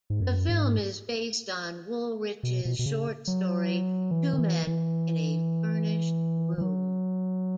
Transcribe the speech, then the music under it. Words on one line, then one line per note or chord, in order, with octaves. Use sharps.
The film is based on Woolrich's short story "Two Men in a Furnished Room".
G#2
F#2
G#2
B2
B2
B2
C#3
F#3
E3
D#3
E3
E3
E3
F#3